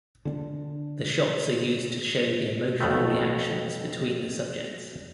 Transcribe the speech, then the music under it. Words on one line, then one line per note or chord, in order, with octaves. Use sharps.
The shots are also used to show the emotional reactions between the subjects.
D3 C#4 D4
B1 F2 B2 D#3 A3